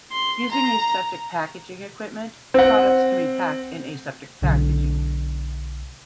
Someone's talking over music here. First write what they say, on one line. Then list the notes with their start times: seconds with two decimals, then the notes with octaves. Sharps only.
Using aseptic packaging equipment, products can be packed in aseptic packaging.
0.13 C6
0.52 A#5
2.54 C4 F#5
4.42 B1 D3